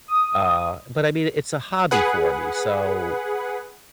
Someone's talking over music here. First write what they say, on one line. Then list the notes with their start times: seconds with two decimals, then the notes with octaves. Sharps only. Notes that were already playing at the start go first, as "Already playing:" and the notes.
uh, but, I mean, it's a hobby for me, so
0.08 D#6
1.91 G#4 B4 F#5